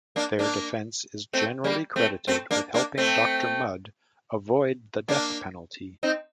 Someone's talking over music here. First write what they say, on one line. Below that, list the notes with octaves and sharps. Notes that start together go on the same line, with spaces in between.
Their defense is generally credited with helping Doctor Mudd avoid the death penalty.
A#3 D4
A#3 D4
A3 C4
G3 A#3
A3 C4
A3 C4
A#3 D4
A#3 D4
A3 C4
A#3 D4
C4 D#4